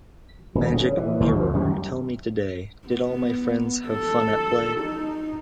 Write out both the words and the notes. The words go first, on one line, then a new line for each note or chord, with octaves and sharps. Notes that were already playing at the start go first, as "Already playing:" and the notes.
Magic Mirror, tell me today, did all my friends have fun at play?
D#1
C#3
E3
D2 B2 F3
F#2 D#3 G3
B3
A4
D#4